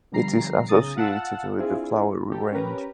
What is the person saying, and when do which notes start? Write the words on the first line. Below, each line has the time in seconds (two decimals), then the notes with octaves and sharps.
It is associated with the Flowery Range.
0.12 B2 D3 F3 G3 A#5 C7
0.68 B1 C#3 G#4 A#5 D#6 A6
0.96 F4 F5 F#5 A5 E6
1.59 C4 D4 E4 F4 G#4
2.32 G4 A4
2.52 C#4 G4 A#4 B4 A#5